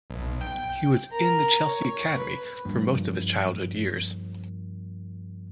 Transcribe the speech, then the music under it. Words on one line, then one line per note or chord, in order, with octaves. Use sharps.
He was in the Chelsea academy for most of his childhood years.
B1
G5
A#4 A#5
C#5
B4
G2 F3 A#3